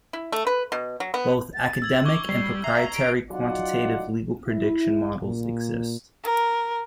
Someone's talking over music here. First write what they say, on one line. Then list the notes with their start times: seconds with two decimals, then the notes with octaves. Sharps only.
Both academic and proprietary quantitative legal prediction models exist.
0.13 E4
0.32 A3
0.47 B4
0.72 B2
1.00 F#3
1.14 B3
1.54 A6
1.82 E6 G#6 F#7
2.05 C#6 D6 G#6 G7
2.29 G3 C7
2.64 E5 A#5 C7
2.94 D7
3.31 F#3 D#4 F4 D5 F#5
4.47 E4
5.23 A#2
6.23 A#4